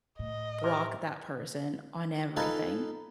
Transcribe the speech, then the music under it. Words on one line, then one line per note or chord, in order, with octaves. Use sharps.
block that person on everything,
A2 D#5
C3 A#4
D#4 F4 A4 B4 G#5